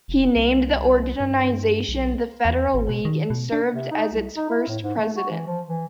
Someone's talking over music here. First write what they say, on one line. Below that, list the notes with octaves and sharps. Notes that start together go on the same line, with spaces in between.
He named the organization the Federal League, and served as its first president.
F1
C2
G2
B1
E2
G#1
B2
D#3
B2
D4
C3
D#4
C2
D#4
E4
A2
G#2
A3
F#4
E3
F3
E3